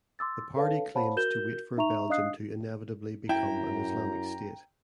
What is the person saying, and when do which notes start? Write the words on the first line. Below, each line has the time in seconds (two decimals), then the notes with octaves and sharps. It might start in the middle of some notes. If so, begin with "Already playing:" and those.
The party claims to "wait" for Belgium to inevitably become an Islamic state.
0.19 C6 D6 E6 A6
0.56 A4 B4 C#5 F5 A5
0.95 C5 C#5 F5 F#5 A5 B5
1.16 F#4 A#4 G6 E7 G7
1.77 D#4 E5 A#5 C#6 F7
2.10 D4 D#5 F5 D#6 F#6 C7
3.29 F#2 E4 G5 A#5